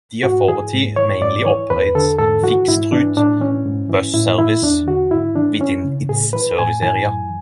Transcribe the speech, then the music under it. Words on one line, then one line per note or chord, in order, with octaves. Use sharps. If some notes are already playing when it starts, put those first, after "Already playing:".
The authority mainly operates fixed-route bus service within its service area.
G#2 F#4
E3 G#4
G#2
E3 C#5
G#2 D5
E3 C#5
E2 B4
D3 A4
G#2 A4
E3 F#4
G#2 E4
E3 D4
A2 D4
E3 C#4
G#2
E3
A2 E4
E3 E4
E2 D4
D3 F#4
G#2 E4
E3 D4
E3 C#4
C#3
A2 G#4
E3 B4
A2 G#5
E3 G#5
F#2